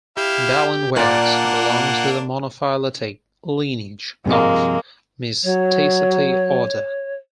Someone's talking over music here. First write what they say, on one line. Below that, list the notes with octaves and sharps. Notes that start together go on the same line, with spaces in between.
Baleen whales belong to the monophyletic lineage of Mysticeti order.
E4 G4 F5
A#2 A#3 D4 D5 F#5
G2 C3 F3 G#3 A#3
F#3 C#5